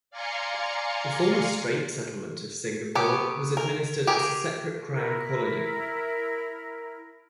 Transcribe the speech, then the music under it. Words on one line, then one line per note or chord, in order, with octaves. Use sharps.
The former Strait Settlement of Singapore was administered as a separate crown colony.
D5 F5 G#5 A#5 C6 C#7
F#3 B3 G4
A#4
G4 G#4 A#4
E4 A#4